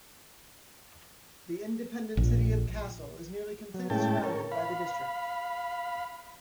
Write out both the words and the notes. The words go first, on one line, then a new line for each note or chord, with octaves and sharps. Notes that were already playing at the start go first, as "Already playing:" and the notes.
The independent city of Kassel is nearly completely surrounded by the district.
A#1
F#3
A2 G#3 C#4 E4 G5 A5
A#4 C#5
F5 B5